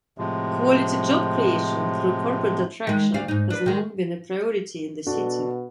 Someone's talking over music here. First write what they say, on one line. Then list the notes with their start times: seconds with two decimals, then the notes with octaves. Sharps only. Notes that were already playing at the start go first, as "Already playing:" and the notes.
Quality job creation through corporate attraction has long been a priority in the City.
0.18 A2 C3 F3 G#3
2.87 D#3 G#3
3.14 D2 G3 F5
3.28 G#2 D#4
3.50 D4 B4
3.66 D#3 G#3
5.07 B2 D4 F#4 A4